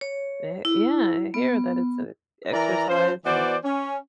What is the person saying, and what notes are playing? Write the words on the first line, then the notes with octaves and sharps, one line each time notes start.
Eh, yeah, I hear that it's a exercise and
C#5
E4
B3
E3 E4 A#4 D5 A#5
F3 C#4 B4 C5
E3 B3 F#4 C5 D5
C#4